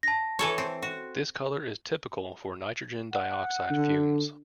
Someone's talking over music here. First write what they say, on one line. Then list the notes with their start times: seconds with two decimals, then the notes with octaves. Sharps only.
This color is typical for nitrogen dioxide fumes.
0.03 A5 A#6
0.39 E3 A4 C#5
0.58 C4
0.82 F#4
3.13 F#5
3.71 D3